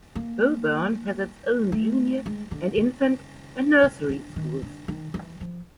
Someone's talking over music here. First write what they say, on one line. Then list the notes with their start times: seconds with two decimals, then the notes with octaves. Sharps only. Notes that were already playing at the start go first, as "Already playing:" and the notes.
Bowburn has its own Junior and Infant and Nursery schools.
0.15 A#3
1.72 A3
2.26 G#3
2.51 D3
2.77 C#3
3.83 C#3
4.10 D3
4.36 D#3
4.62 D3
4.88 D#3
5.14 E3
5.41 F3